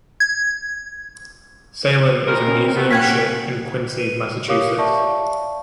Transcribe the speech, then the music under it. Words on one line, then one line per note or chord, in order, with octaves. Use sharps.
"Salem" is a museum ship in Quincy, Massachusetts.
G#6
E2 D#3 A#4
C#4
C4
A3 B3 C4
A#3 C#4 F#4 G5 G#6 B6
B4 D#7
G4 A#4 C#5 F5 D6 D#6
D5 E5 F5 A5 C#6